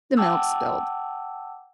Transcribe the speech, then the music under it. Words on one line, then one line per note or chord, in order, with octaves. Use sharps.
the milk spilled.
F#5 G5 A5 D6 E6